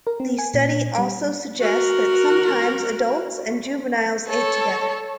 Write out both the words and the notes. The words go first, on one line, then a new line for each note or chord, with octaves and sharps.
The study also suggests that sometimes adults and juveniles ate together.
A#4
C4
G#5
A#2
G3
F#4 A#4
A4 C#5